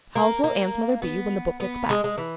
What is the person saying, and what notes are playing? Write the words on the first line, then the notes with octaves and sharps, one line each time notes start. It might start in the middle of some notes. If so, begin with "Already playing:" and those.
How old will Ann's mother be when the book gets back?
A#3
A#3
B3
B3
G#3
G#3
E3